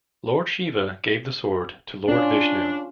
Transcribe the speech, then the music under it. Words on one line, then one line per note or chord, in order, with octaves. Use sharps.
Lord Shiva gave the sword to Lord Vishnu.
C#4 D4 F4